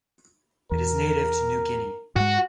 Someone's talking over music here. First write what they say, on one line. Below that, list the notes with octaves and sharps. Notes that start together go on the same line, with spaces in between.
It is native to New Guinea.
E2 A#4
G#2 G#3 F#4